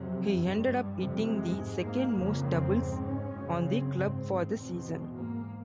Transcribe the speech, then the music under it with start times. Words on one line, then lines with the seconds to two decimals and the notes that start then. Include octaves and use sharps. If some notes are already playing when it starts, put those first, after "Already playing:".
He ended up hitting the second-most doubles on the club for the season.
Already playing: F2 C3 F#3
0.34 G2 G3
0.95 F2 C3
1.24 G#3
1.54 G#2
1.84 A#3
2.14 F2 C#3
2.44 C4
2.74 G#2
3.05 C#4
3.34 F#2 C#3
3.65 C4
3.95 G#2 C4
4.54 E2 B2 C4
5.14 G#2 A#3